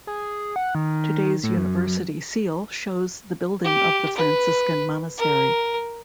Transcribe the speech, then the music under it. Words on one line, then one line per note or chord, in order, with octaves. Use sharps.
Today's University seal shows the building of the Franciscan Monastery.
G#4
F#5
D#3
A2
F#2
G4
B4
A#4